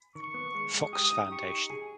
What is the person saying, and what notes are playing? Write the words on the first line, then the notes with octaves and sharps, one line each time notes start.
Fox Foundation.
D#3 C#6
B3
G#3
G#3
G4 D#6
D#4
G4 C#6
D#4
G#4